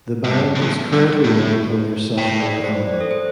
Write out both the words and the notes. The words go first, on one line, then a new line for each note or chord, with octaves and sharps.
The band is currently working on their sophomore album.
A2
G2 A5
G2
E2
G2
A2
A2 G5
D5
C5
C5
D5
A4
C5